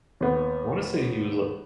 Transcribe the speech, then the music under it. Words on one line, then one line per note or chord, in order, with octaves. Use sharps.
I wanna say he was li
D#2 B3